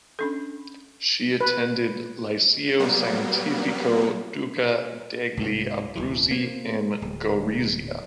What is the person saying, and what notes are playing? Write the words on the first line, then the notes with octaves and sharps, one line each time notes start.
She attended liceo scientifico Duca degli Abruzzi in Gorizia.
C#4 D4 A4
B4
F#3 G3 A#3 B3
C2 G#2
D1 A#1 E3
A#3 C4
D1